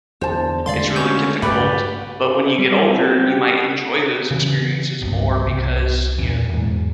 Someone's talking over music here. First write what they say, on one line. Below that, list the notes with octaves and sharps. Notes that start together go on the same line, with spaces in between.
it's really difficult, but when you get older, you might enjoy those experiences more because, you know,
E2 D3 C5 A5
D3 G#3 A3 D5 F5 C6
C#4 G6
G2 C#3 A3 G4 B4 D5 B5
G3
C4
G4
C#3 E3
G1 C2 G2
C2
E2 A#2
E2 G#2